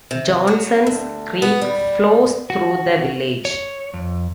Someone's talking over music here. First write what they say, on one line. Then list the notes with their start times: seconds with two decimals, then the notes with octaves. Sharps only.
Johnson's Creek flows through the village.
0.11 C3
0.47 F#3
0.87 D2
1.42 B3
1.62 G3
2.50 F#4
3.45 C#5
3.94 F2